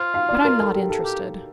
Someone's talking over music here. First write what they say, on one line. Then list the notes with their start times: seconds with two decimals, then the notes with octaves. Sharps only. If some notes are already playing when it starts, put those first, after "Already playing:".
But I'm not interested.
Already playing: F4 C5
0.14 F5
0.29 D5
0.45 A#4
0.59 A4
0.75 G4
0.89 A4
1.05 G4